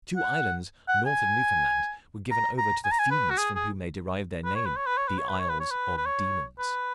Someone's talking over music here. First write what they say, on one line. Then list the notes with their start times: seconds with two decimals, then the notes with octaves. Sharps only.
Two islands, north of Newfoundland, were given over to the fiends from whom they derived their name, the Isles of Demons.
0.17 F#5
0.88 F#5
1.06 G#5
2.31 A#5
2.58 A#5
2.85 G#5
2.91 A#5
2.99 G#5
3.11 B4
3.30 F#4
3.38 G#4
3.55 G#4
4.45 B4
4.55 C#5
4.66 B4
4.76 C#5
4.86 B4
4.97 C#5
5.08 B4
5.18 C#5
5.29 B4
5.40 C#5
5.49 B4
5.60 C#5
5.71 B4
5.97 B4
6.06 C#5
6.59 B4